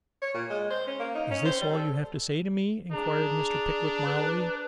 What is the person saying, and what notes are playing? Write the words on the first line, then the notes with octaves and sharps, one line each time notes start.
'Is this all you have to say to me?' inquired Mr. Pickwick mildly.
C#5
A#2
G#3
C5
C#4
A#3
D#4
C#4
C5
G3
A4
D4 G#4 A#5
B4